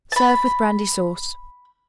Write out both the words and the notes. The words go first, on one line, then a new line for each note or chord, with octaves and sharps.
Serve with brandy sauce.
A5
B5